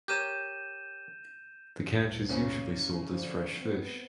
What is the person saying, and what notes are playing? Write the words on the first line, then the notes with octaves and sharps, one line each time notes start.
The catch is usually sold as fresh fish.
G4 A#4 C#5 G6 D#7 E7
D2 G2 A#2
C#3 A#3 C#4
D3 F3
B3 C4